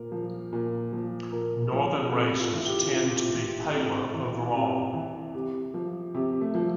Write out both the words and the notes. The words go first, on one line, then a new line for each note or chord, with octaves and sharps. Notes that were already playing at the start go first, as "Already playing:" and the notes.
Northern races tend to be paler overall.
Already playing: A#2 A#4
F3
A#2
F3
A#2 A#4
F3
C3 A4
F4
E3
G4
C3 F4
F4
E3
G4
C3 A4
E3
C3
E3
C3 G4
F3
C3 G4
A3
F3